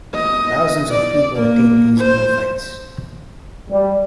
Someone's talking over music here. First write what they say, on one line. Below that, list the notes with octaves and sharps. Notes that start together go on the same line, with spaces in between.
Thousands of people attend these bullfights.
D#5
D5
A#3
C5
G3